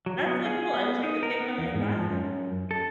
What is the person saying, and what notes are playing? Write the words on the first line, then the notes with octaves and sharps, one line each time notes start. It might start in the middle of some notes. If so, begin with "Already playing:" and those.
That's so cool, I wish I could take one of your classes.
F#3
B3
G#4
B3
D#4
A#4
B3
E2
G#2
F3
F#2
A4